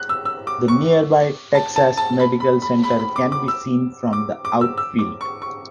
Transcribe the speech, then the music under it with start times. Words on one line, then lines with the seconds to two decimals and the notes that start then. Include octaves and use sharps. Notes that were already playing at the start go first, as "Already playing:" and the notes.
The nearby Texas Medical Center can be seen from the outfield.
Already playing: F#6
0.09 E6
0.25 E6
0.47 D6
0.68 C#6
1.55 A5
1.76 A5
1.97 A5
2.19 B5
2.40 B5
2.62 B5
2.84 B5
2.99 B5
3.16 D6
3.32 D6
3.48 E6
4.13 D6
4.45 D6
4.61 E6
4.77 E6
4.99 D6
5.21 C#6
5.42 C#6